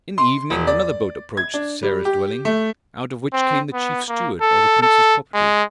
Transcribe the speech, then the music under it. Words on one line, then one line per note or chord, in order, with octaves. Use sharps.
In the evening another boat approached Sarah's dwelling, out of which came the chief steward of the prince's property.
C6
E1
D5
G#6
D4
G3
G4
A3
C4
B3
A#3
A4
A4
G#3